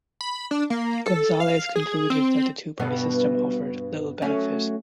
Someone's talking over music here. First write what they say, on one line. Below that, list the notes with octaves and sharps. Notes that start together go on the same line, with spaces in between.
Gonzales concluded that the two-party system offered little benefit.
B5
D4
A#3
A4
F5
G#4
C4
G2 B2 B3
F#3 A3 C#4